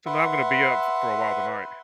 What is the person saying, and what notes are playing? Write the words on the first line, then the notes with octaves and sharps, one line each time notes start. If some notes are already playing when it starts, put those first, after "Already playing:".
so now I'm gonna be up f for a while tonight
B4 E5 F#5 C6